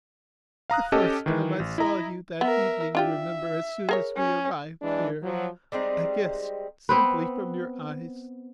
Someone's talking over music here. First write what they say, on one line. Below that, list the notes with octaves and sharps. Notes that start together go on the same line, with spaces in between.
The first time I saw you, that evening, you remember, as soon as we arrived here, I guessed simply from your eyes.
F5 A#5 D#6 F#6
C#4 G4 A4 D#5 A5
D#3 E3
A1
E4 D#5 A#5
B3 A#4 E5
D4 F4 G4 E5
G#4 A#4 C#5
C#4
E3 G#3 D4
F3 F#3
G3 G#3 C4 D#4
B3 C4 B4